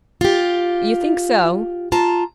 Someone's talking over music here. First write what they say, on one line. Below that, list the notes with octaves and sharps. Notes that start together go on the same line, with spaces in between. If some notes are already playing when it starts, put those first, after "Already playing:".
"You think so?"
F4 G4
F4 A5 A#5